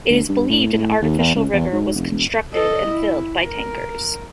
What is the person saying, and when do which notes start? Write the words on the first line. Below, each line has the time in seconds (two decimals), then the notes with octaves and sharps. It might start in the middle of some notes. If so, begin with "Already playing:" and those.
It is believed an artificial river was constructed and filled by tankers.
0.10 D2
0.29 G2
0.50 A2
0.73 A2
1.02 D#2
1.19 E2
1.35 C#2
1.53 E2
1.72 G#2
1.95 F1
2.11 E1
2.54 A4 D#5
2.87 E4
3.45 A#4